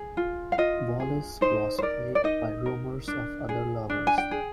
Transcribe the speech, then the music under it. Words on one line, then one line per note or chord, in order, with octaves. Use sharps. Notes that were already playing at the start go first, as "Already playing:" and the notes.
Wallis was plagued by rumours of other lovers.
Already playing: G#4
F4
F5
F4 D#5
G#4
D#4 C5
C5
A#4 D5
D5
D#4 D#5
A#4
D4
G#4
D4
G#5
G5
G#4